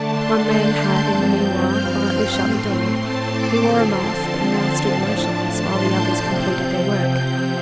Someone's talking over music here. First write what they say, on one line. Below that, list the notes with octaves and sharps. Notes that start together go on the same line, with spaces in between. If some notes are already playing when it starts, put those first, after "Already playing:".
One man had in the meanwhile quietly shut the door; he wore a mask and now stood motionless while the others completed their work.
Already playing: D3 A3 D4 A5
C6
G6
G2 F3 C4
G6
F6
C6
A2 A3 C4
A5
D6
D3 F3 C4 C6
A5
C6
A5
A2 F3 D4
C6
G6
C3 F3 C4